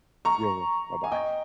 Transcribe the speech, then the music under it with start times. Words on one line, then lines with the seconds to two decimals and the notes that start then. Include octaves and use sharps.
Yeah, yeah. Bye-bye.
0.25 A#5 C#6
1.04 G#5
1.11 D#5 G5